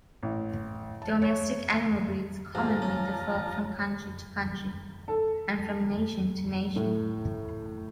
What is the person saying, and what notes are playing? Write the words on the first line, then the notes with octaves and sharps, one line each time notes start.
Domestic animal breeds commonly differ from country to country, and from nation to nation.
A1
A5
C#5
D2 G#2 F3 A5 A#5
C#4
A4
A2